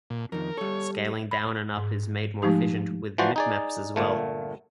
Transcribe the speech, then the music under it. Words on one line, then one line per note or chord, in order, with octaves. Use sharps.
Scaling down and up is made more efficient with mipmaps as well.
A#2
F2 D#3 A#4
G3 A4 C#5
B5
G#2
F3 G#3 A3 D#4 G4
E3 F3 F#4 C5 D5
D#4 G#4 D5
G1 A#2 A3